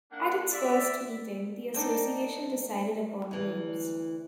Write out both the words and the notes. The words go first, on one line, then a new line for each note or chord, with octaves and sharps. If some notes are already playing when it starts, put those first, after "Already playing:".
At its first meeting, the Association decided upon names.
A#3 D4 F#5
D5 E5
C4 D4 D#4
D2 E3